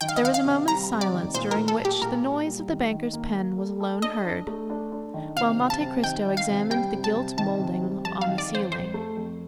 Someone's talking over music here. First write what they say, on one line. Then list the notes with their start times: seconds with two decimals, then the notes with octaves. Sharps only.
There was a moment's silence, during which the noise of the banker's pen was alone heard, while Monte Cristo examined the gilt mouldings on the ceiling.
0.01 D#3 G5
0.08 F5
0.16 D#5
0.23 D#3 F5
0.34 F5
0.45 C3
0.68 G3 A#5
0.90 C3
1.01 D5
1.13 D#3
1.34 A#2 C5
1.51 A#4
1.56 A#2
1.68 A4
1.79 A#2
1.85 G4
2.02 A#2 A#4
2.24 A#2
2.46 G3
2.68 D#3
2.91 D#3
3.13 A#3
3.36 A#3
3.58 A4
3.80 A4
4.02 D4 D#5
4.25 D4
4.47 A3
4.70 D4
4.92 D4
5.14 D#3
5.36 C3 F5
5.59 C3
5.70 A5
5.81 C3
6.04 D#3 G5
6.26 D#3
6.37 F5
6.48 C3
6.70 G3 G5
6.93 C3
7.04 A5
7.15 C3
7.37 D#3 A5
7.60 C3
7.82 G3
8.05 F2 A5
8.21 F5
8.28 D#3
8.38 D5
8.49 F2
8.55 C5
8.72 F2 C5
8.94 A3
9.17 F2